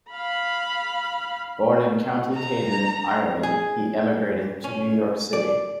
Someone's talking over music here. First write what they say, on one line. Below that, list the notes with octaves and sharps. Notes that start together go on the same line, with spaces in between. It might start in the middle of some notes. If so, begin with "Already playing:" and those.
Born in County Cavan, Ireland, he emigrated to New York City.
F5 B5
A#5
G#4
C#4
D5